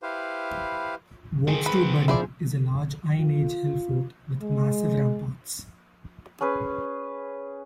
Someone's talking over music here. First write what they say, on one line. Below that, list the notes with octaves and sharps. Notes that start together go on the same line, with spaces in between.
Warbstow Bury is a large Iron Age hillfort with massive ramparts.
E4 G4 B4 C5 F5
D#3 C4 G#4
B4
F3 E4 G#4 C5 D5
F4
G#3
C#4 G#4 B4